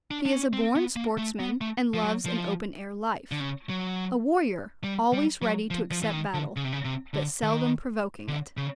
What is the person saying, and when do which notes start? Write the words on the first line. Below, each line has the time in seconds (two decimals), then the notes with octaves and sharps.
He is a born sportsman and loves an open-air life--a warrior, always ready to accept battle, but seldom provoking it.
0.11 D4
0.26 D4
0.33 C#4
0.53 C4
0.76 B3
0.96 A#3
1.18 A3
1.40 B3
1.61 A3
1.94 F3
2.04 F#3
2.26 F3
3.32 D3
3.40 C#3
3.70 F#3
4.84 G3
5.13 G3
5.42 F#3
5.70 F3
5.91 F3
6.03 E3
6.13 D#3
6.34 D3
6.56 C#3
6.65 C3
6.73 C#3
6.85 C3
7.14 D3
7.43 D#3
8.28 D3
8.57 C#3